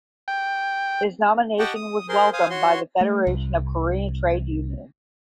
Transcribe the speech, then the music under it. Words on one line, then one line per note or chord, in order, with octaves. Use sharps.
His nomination was welcomed by the Federation of Korean Trade Unions.
G5
G4 D#5 F#5 G5 A5 C#6
D#6
G#4 A#4 C5 C6
C5 F5 G#5 D#6
F#4 C#5 C6
A3
C2